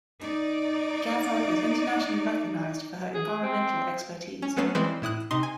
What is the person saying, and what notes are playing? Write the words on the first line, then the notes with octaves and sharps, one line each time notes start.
Gavron is internationally recognised for her environmental expertise.
D#4 D5
G#4
C4
C#4
F#3 A3 B3 C#4 C7 E7
E3 G3 G#3 C4 B4 C5
A2 E4 D#6 F#6
C3 D#4 C6
G#5